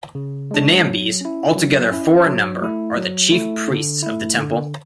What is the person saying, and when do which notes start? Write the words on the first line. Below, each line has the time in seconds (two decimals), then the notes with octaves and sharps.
The Nambies, altogether four in number, are the Chief Priests of the Temple.
0.15 C#3
0.51 G#3 D4
0.85 F#3
1.21 C#4 E4
1.56 F#3
1.91 C#4 E4
2.26 F#3
2.61 A3 E4
2.96 F#3
3.32 A3 E4
3.68 D3
4.03 A3 E4
4.37 D3